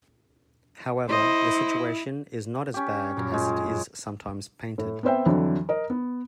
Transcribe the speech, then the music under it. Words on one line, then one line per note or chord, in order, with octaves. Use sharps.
However, the situation is not as bad as it is sometimes painted.
E4 C5 D#5
C#4 G4
F#2 A#2
G#3
A2
B3 C4 B4 C5 E5 G5
F2 D3 E3 F#3
A#4 D#5
B3